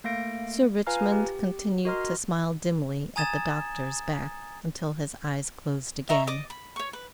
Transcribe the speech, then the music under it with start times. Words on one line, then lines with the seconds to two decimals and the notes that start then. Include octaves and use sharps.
Sir Richmond continued to smile dimly at the doctor's back until his eyes closed again.
0.04 A3 A#3 F5 A#6 D7
0.87 F4 B4 F5 G#5 A#5 F6
1.12 G4
1.85 F#4 A#4 D#5 A#5 C6 F6
3.16 G#5 A#5 D#6 G#6 A6 E7
6.09 D#5 E5 A#5 C#6
6.27 D5 D#5 D6 D#6
6.50 B5
6.76 C#5 C#6
6.93 B4